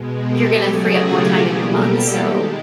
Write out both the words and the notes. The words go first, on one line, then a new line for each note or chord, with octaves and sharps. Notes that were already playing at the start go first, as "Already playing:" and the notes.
you're gonna free up more time in your month, so,
Already playing: B2 G#3
G4 A4
C#3 F#3 A3 F#4 G#4
F4 G4
B2 G3 A#3
G4 A4
D#3 G#3